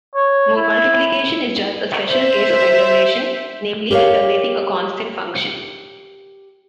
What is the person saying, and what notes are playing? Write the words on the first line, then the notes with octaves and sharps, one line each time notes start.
Multiplication is just a special case of integration, namely integrating a constant function.
C#5
E4
C5 E5
G4 A#4 C5 C#5 F5